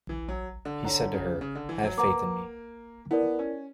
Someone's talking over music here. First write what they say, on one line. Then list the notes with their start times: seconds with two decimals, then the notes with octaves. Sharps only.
He said to her, Have faith in Me.
0.09 E3
0.29 F#3
0.65 D3
0.84 D3 C#5 F#5 A#5
1.13 C#3
1.41 C#3
1.55 D3
1.69 E3
1.83 F#3
1.98 A#3 B4 F#5 A#5 D6
3.11 B3 E4 A#4 D5
3.39 C#4